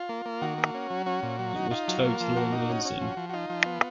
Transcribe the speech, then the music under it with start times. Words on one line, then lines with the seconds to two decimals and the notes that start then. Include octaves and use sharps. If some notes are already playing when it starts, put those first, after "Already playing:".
It was totally amazing.
Already playing: F4
0.09 A#3
0.26 A#3
0.42 D#3 F#4
0.58 A#3
0.75 C#4
0.90 F#3
1.06 C#4 F#4
1.23 A#2
1.39 F#3
1.56 D#4
1.71 D#4 F4
1.88 F#3
2.04 A#3
2.20 F3
2.36 A#3 F#4
2.52 D#4
2.69 C#4
2.85 C#4
3.01 F3
3.17 F3
3.30 F#4
3.33 D#4 F4
3.50 F3
3.66 B3